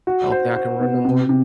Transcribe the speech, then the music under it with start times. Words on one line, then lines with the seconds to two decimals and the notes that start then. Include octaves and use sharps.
I don't think I can run no more.
0.07 F#4
0.32 C5
0.56 C5
0.80 B3
1.05 C3
1.29 C3